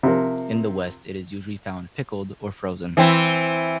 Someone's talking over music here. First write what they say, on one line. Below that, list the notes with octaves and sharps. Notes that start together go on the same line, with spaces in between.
In the west it is usually found pickled or frozen.
C3 F3 A#4
E3 C4 E4